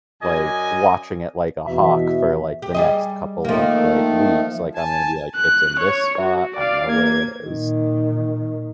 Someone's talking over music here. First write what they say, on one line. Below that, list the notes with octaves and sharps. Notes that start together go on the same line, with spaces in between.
like, watching it like a hawk for, like, the next couple of, like, weeks, like, I'm gonna be like, "It's in this spot. I know where it is."
F#2 D5 D#5 G#5
E2 B2 E5
G4
G3 G#4 D#5
D#3 F3 A3 A#3
G#5 A5
F#6
C#5
F#4
D5 F5
A#3 G#6
A#2 D#3